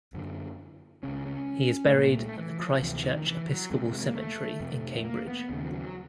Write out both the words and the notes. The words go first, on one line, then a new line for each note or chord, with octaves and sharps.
He is buried at the Christ Church Episcopal Cemetery in Cambridge.
F#2 D3
C#2 C#3 C#4
C#4
A3
C2 A#2 A#3
G#3
A3
E3
F3
D2 C3 E3
D#3
E3
F#3
F2 C3 G#3
G#3
A#3
A3
F2 C3
A#3
B3
D#2 C#3
F3
F#3